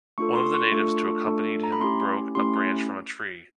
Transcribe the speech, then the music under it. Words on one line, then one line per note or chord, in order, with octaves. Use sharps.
One of the natives to accompanied him broke a branch from a tree.
A3 D4 F4 A4 C#6
C6
C#6
A3 D4 F4 A4 C#6
A3 D4 F4 A4
A#5
B5
A3 C#4 E4 G4 C6
A3 C#4 E4 G4 C6